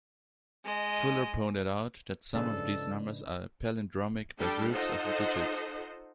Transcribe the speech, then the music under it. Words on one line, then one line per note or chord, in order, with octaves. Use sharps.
Fuller pointed out that some of these numbers are palindromic by groups of digits.
G#3 D#5
G#2 C#3 F3 D4 A4 B4 D#5
G3 D4 A4 G5
D#4 F4 A4 C5 D#5 F#5